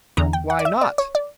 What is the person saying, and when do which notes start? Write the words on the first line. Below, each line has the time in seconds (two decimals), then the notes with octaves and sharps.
Why not?
0.17 E2 D3 A#5
0.33 G5
0.50 F#5
0.59 D5
0.65 E5
0.81 D5
0.98 C#5
1.15 D5